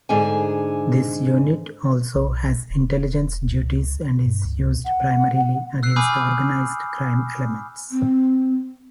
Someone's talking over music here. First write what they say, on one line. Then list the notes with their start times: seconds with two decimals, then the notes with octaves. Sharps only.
This unit also has intelligence duties and is used primarily against organized crime elements.
0.09 G#2 D3 G#4 G#5
2.15 B1
2.70 E1
3.47 C#2
4.26 G2
4.45 C#2
4.85 F#5
5.83 E6 F#6 C7
5.96 G#5 B5 D6 D#6 F6 G6
7.91 C4